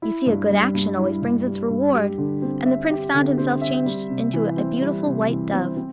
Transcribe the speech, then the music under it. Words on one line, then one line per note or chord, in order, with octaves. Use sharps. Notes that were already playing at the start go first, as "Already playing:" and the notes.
"You see a good action always brings its reward," and the Prince found himself changed into a beautiful white dove.
E4
G2
G3
G2
E4
G2
G3
G2
G4
D3
C4
E5
G4
D3
C4
E5
G3
C3
E3
C4
G3
C3
E3
C4
C4